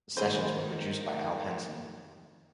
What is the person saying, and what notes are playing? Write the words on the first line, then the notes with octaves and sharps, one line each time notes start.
The sessions were produced by Al Henson.
D#3 G#4 B4 C5